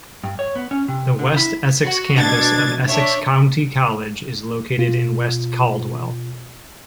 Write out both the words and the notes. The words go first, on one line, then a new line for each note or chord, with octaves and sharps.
The West Essex Campus of Essex County College is located in West Caldwell.
G2
C#5
B3
C#4
C3
D3
E4
F#4
B2 D4 G#6 A6
D4 C#5 E5
B2 F4